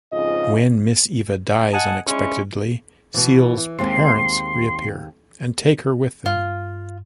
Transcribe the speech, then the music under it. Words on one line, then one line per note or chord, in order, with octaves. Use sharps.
When Miss Eva dies unexpectedly, Ciel's parents reappear, and take her with them.
F2 G#2 C#3 F4 D#5
D#5 F#5 G#5 A5
G#3 C#4 D4 E4
B2 E3
E3
D#2 G#3 C4 C6
G2 F4